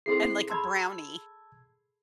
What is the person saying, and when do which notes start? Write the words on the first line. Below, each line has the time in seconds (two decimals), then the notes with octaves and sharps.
and like a brownie.
0.06 C4 E4 G#4 A4 C6 C7
0.50 A5 B5 C6 E6 G#6